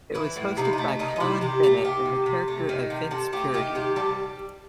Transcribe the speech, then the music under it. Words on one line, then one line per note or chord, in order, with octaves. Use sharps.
It was hosted by Colin Bennett in the character of Vince Purity.
E3 E4
A2
C3 D#4
E4
D#4
A3
D#3 D#4
D#4
C3 E4
C3 G4
A3
D#3 G4
C3
C3
A3
D#3
C3
C3 A4
A3 G4
D#3 G4
C3 G4
G3 A4